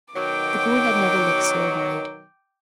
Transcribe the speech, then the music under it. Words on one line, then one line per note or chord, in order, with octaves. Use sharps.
The pool had never looked so wide.
B2 D#3 F#3 G5 D6